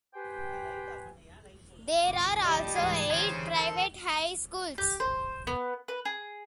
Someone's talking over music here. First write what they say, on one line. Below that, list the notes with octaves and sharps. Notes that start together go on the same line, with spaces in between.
There are also eight private high schools.
G4 B4 C5 G5 G#5
G1 C2 D6
D2 F3 G3 G4 D#5 A5
C#2 G#2 E3 G#4
D3 E3 G#4 C5 C#5
A4 A#4
G4
C5
B3
B4
G#4